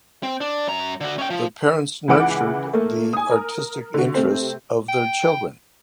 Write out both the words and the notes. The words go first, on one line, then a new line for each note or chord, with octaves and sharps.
The parents nurtured the artistic interests of their children.
C4
D4
F#2 A#5
D3 F#4
C#4 G5
F3
C#2 C#3 E3 F#5 D6 D7
A3 A#3
G#5 D#6
A#4
D3 F#4
C3 A3 C4
G5